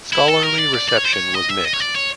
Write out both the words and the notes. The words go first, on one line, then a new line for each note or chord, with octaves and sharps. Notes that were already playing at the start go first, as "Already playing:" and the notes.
Scholarly reception was mixed.
E4
A4
A#4
D5
D5
D5
C#5
C5
C#5
D#5
E5
D#5
C#5
D5
C#5